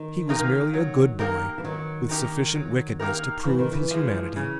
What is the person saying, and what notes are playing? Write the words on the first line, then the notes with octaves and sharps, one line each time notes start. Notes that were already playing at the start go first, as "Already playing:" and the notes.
He was merely a good boy, with sufficient wickedness to prove his humanity.
Already playing: D#3
A#3 D#4 G4 A#4
F#3
A#3 D#4 G4 A#4
E3
D#3 F#3
A#3 D#4 G4 A#4
F#3
A#3 D#4 G4 A#4
C#3 E3
D#3
E3
F3 G#3
C#3